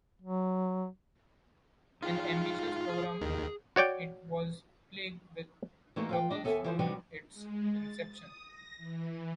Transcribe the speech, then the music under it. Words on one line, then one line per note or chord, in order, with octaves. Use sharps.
An ambitious program, it was plagued with troubles from its inception.
F#3
D#4 F4 G#4 G5
G#4
D#2 D#3
F#4 C#5 D5 G5
E3 A3 A#3 D#4 F#4 A#4
F4 B4 G5
D4 D#5
D#2 B3 A4 D5 E5 G#5
E3 F3 C5
C3 G3 D4 D#4 F#4 B4
G#3
A6
D#6
A#6
E3